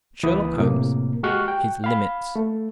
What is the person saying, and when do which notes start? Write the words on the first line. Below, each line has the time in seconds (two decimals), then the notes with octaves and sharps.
SHERLOCK HOLMES--his limits.
0.23 C#2 D#3 E3 A#3 B4 D#6
0.57 A2 C3 A#3
1.23 G#3 F#4 G4 C#6 F6 F#6
1.48 G5
1.84 F5 B5
2.36 A3